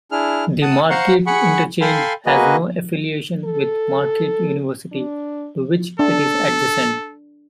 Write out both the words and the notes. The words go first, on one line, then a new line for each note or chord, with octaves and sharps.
The Marquette Interchange has no affiliation with Marquette University, to which it is adjacent.
D4 E4 G#4 F6
F#5 A5 D#6
C5 F5 F#5 A#5 C6 C#6
G#4 F#5 B5 C#6
A4 F5 G5 G#5 B5 C6
A#3 F#4 G#4 B4 D#5
A4
D4
D4 A4